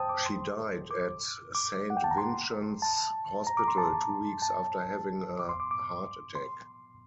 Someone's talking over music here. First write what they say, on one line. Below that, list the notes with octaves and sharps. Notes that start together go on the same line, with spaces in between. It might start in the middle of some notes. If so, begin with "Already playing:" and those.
She died at Saint Vincent's Hospital, two weeks after having a heart attack.
Already playing: C5 G5 A5 D#6
D6
C6
D6
D6
F#5
G5
A5
A#5
C6
A5
A#5
D6
C6
A5
A5
D6
C6
D6
D6
C6